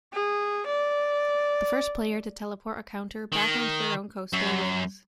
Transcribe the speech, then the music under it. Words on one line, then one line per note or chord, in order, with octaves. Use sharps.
The first player to teleport a counter back onto their own coaster wins.
G#4
D5
D#3
F#2